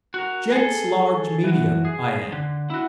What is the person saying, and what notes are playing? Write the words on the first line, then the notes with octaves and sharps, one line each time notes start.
"Gents' large medium, I am."
F#4 A#4
G#4 A4
E3 F#4
G#4
D3
E4 F#4